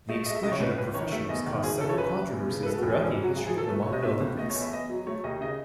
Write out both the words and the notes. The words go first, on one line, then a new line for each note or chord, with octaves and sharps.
The exclusion of professionals caused several controversies throughout the history of the modern Olympics.
A3 D#5
G#3 D#5
E5
C#2 D#5
C#5
C#2 B4
C#2 B4
D#3 C#5
A3 E5
E2 D#5
D#3
F#1 G#4
C#3 A4
C#5
F#2 B4
F#1
E2
C#3
B4
G#3 A4
F#4
E1
G#4
G#2 G#4
F#3
F#4
G#1 G#4
G#4
F#3
A4
A3 B4
A3 C#5
D#5
B2 E5
C#2
A3 D#5
C#5
E2
E5
E2 D#5
F#3
A3 C#5
D#2 D#5
C#3 D#5